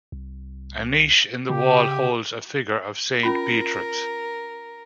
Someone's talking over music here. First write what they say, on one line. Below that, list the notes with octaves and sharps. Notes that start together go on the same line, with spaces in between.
A niche in the wall holds a figure of Saint Beatrix.
C2
C#3 G4
C#4 F4 A#4 B5